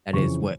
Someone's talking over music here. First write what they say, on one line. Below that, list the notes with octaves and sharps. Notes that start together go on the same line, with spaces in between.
that is what
F2 C#3 E3 C#6